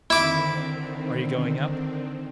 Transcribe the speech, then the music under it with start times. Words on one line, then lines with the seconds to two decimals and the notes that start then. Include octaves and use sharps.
"Are you going up?"
0.10 D3 D#3 C4 E4 D6